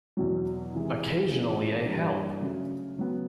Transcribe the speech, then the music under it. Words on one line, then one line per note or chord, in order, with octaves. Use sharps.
Occasionally a Help!
E2 B2 F#3
C3 E3 G#3
E3 A3 C#4 F4 G#4
G2 E3 G3 A#3 D4
C#3 F#3 A3 C#4 F#4
C#3 F#3 B3